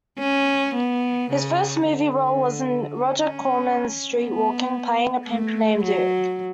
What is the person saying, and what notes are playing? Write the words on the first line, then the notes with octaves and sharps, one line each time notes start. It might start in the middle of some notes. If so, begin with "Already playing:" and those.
His first movie role was in Roger Corman's "Streetwalkin"' playing a pimp named Duke.
C#4
B3
C#3
D3
C#4
B3
A3
F#3